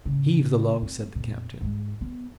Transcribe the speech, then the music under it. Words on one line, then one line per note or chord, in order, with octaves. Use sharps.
"Heave the log," said the captain.
A2 C#3
C4
F2 A#2
G#2 G#3
B3